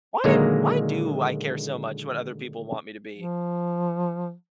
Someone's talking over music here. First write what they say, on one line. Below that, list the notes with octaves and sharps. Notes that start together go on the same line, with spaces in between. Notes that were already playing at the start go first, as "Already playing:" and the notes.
"Why why do I care so much what other people want me to be?"
A#2 D3 D#3 F#3 G#3 A#3
F3